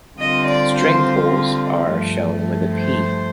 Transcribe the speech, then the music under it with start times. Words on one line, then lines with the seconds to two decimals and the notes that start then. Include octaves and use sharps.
String pulls are shown with a "p".
0.18 D3 G3 C4 F4 D#5
0.46 D5
0.75 C5
1.88 G2 F3 A3
2.74 C5